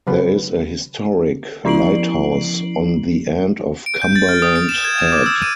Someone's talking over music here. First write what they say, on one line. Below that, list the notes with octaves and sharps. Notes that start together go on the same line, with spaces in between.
There is a historic lighthouse on the end of Cumberland Head.
C#3 F#3 B4
F3 C#4 E4 C7 D7 F#7
D7
G6
A6
F6
D#6
D7
E7
G#6
E7
D6
E6
D#7